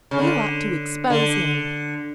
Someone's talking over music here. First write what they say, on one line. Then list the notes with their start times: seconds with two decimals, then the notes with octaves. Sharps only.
"You ought to expose him."
0.11 C#3
0.18 D3
1.10 D3